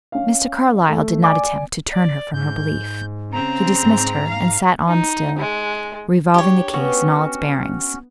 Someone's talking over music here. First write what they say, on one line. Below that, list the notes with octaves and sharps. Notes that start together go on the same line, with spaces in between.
Mr. Carlyle did not attempt to "turn her from her belief." He dismissed her, and sat on still, revolving the case in all its bearings.
C#4 F5
A3
D5 G#5 D6
D5
G#2 G6
C#3 C4 A#5
G#2
F5
D#4
G#3
D4 G4 C#5
B3 C#4 F#4